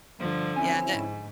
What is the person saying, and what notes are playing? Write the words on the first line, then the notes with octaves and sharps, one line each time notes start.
Yeah, and that
G2 D3 F3
C4 C#4 E4 G#5
G#2